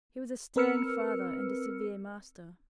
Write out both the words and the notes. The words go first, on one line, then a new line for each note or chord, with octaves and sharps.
He was a stern father and a severe master.
C4 A#4 B4 E6 F6 C#7